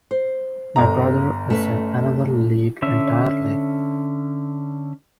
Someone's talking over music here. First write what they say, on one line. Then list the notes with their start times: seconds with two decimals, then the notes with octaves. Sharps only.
My brother is in another league entirely.
0.11 C5
0.76 G1 A#5
1.50 A3 C#4 B4
2.82 D3 C#4 E5